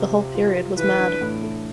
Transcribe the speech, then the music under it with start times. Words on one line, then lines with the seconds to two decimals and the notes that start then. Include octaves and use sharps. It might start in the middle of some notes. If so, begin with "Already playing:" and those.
The whole period was mad!
Already playing: C3 C4 F4
0.12 C4
0.35 F4
0.56 F4
0.77 E3 B4
1.00 D4
1.21 A2
1.43 A3